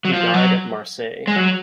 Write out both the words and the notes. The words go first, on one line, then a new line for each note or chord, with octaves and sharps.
He died at Marseilles.
F#3
F3
F#3
G#3
F#3